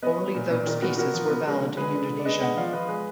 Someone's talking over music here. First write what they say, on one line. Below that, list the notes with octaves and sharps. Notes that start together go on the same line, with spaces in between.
Only those pieces were valid in Indonesia.
B3 B4 D#5
F#3
A#2
A#2
D#3 A#4 D5
B3 F#4 A#4
B3 F#4 A#4
F3
B3
G#3
D3
G#3 G#4 B4
D3
D3
D5
G#3 B4 D#5
B3 D#5 F#5
F3 D5 F5
F3 B4 D#5
G#3 G#4 B4